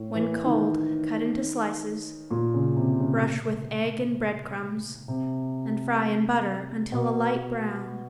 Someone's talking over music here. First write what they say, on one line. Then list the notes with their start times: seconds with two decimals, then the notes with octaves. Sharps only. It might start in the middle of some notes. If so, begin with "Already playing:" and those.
When cold cut into slices, brush with egg and bread crumbs and fry in butter until a light brown.
Already playing: A2
0.15 E3
0.46 D#3
2.31 A#2
2.54 C#3
2.76 C3
3.00 C#3
5.08 C3
6.92 B2